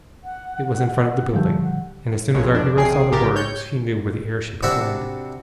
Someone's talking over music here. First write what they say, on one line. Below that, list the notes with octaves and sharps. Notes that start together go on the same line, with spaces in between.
It was in front of the building, and as soon as our hero saw the words he knew where the airship had landed.
F#5
A#2 D3 D#3 F3 G3 A3 G4
F#5
A#1 C#5
F2 D4
A#1 C3 G#4 G5 C7
A#1 G#2 C#3 G4 A#4 A6
C#5 G6
C3 D4 F#4 E5 B5